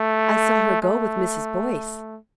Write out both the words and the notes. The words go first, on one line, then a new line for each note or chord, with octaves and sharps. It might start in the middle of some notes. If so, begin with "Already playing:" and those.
"I saw her go with Mrs. Boyce."
Already playing: A3
A3